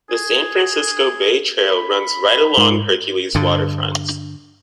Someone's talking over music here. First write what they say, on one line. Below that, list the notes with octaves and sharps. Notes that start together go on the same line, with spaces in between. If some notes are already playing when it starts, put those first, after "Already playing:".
The San Francisco Bay Trail runs right along Hercules waterfront.
G#4
B5
G#2
G2 D3